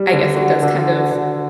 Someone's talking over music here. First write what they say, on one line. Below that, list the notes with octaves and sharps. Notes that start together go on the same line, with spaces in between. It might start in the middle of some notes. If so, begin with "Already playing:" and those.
I guess it does kind of
Already playing: G3
D3
F#4
D3
F#4
D3